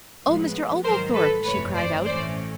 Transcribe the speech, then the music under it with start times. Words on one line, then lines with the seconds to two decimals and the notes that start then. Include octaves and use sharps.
"Oh, Mr. Oglethorpe!" she cried out.
0.23 A2 F3 G#3 B3
0.83 G#2 D#3 F#3 A#4 C5
1.13 A4 B4
1.44 G1 F2 C3 E3 A3 B4 C#5
1.75 C5 D5
2.05 A1 A2 E3 A3 C#4 C5 D5